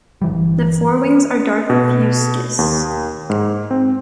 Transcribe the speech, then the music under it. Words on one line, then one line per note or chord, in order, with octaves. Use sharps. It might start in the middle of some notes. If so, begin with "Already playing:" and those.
The forewings are dark fuscous.
G1 E3 G3
B2
D#2
G#2
C4